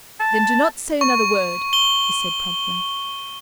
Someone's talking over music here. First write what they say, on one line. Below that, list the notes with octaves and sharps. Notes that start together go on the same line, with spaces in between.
"Then do not say another word," he said, promptly.
A5
C#6
G7